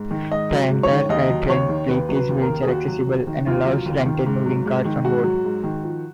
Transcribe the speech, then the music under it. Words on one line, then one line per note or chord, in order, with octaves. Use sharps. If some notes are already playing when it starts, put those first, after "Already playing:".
The entire AirTrain fleet is wheelchair accessible and allows rented moving carts on board.
Already playing: G#2
D#3
G#2 D#5
F#3
G#2
C#5
D#3
D#2 D#5
F#3
D#2 C#5
D#3
D#2 B4
F#3
B4
D#2
A#4
D#3
G#4
D#2 F#4
F#3
D#2
D#3
D#2 F4
F#3
D#2
D#3
G#2
F#3
G#2
D#3
G#2 F#4
F#3
G#2
D#3
F3